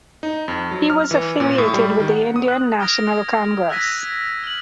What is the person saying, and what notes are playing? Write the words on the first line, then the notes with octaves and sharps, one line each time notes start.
He was affiliated with the Indian National Congress.
D#4
F2
F#3
F6
E3
A#2
A2
G3
D#3
F#5
D#6
F#6
D#6 F6 G#6 A#6 D7
E6 F#6 G#6 A#6 B6 D#7
F6 F#7